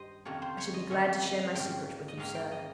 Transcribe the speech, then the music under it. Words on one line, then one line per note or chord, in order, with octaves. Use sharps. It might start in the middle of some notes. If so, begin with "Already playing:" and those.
I shall be glad to share my secret with you, sir.
Already playing: G2 D#3 C5 D#5
F2 C3 D#3 A#3 C#4 C#5
C5
C#5
D#5
F2 C3 D#3 A#3 C#4 C#5
D#5
F5
G#2 D#3 A#3 C#4 G5
D#5
G#2 D#3 A#3 C#4 F5
G5
D#5